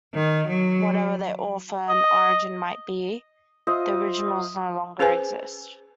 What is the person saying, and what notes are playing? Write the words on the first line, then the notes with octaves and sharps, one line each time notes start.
Whatever their author and origin might be, the originals no longer exist.
D#3
F#3
D#5
F4 C5 D#5 E5
C#4 G#4 B4 C5 G#5